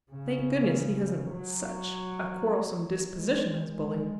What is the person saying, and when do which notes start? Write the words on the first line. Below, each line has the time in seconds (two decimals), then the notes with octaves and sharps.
Thank goodness he hasn't such a quarrelsome disposition as Bully.
0.11 C#3
1.31 F#3
3.11 G#3
3.72 G#3